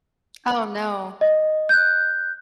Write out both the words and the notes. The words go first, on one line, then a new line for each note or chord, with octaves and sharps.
Oh no.
D#5
F#6 G6